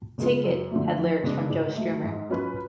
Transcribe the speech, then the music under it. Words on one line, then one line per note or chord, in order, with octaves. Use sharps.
"Take It" had lyrics from Joe Strummer.
C#3 G#3 B3 F4
F#2
D3 F3 A3
F2
C#3 G#3 B3 D4
G#2
F#3 A3
G#2
F#3 C#4 F4 B4